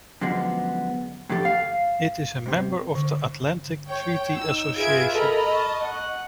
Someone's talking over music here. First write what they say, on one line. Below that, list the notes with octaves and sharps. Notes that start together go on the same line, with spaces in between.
It is a member of the Atlantic Treaty Association.
F#2 D3 F3 G#3 B3
A2 D3 F3 G4 A4
F5
G#2 C3
D3
C#5 G5
D#4 E6
F4 G#4 B4 E5 G#6 D7
A4 A#4 D#5 A#5 B5
A5 C#6
F#5